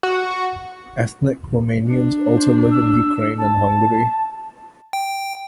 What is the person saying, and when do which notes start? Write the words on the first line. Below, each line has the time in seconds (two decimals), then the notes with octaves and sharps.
Ethnic Romanians also live in Ukraine and Hungary.
0.03 F#4
1.88 D4
2.35 C5
2.71 E6
3.38 A5
4.93 G5